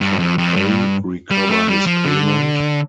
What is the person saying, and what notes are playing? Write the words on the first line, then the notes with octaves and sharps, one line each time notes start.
Can A recover his payment?
G2
F2
F2
G2
G3
A3
G3
F3
D3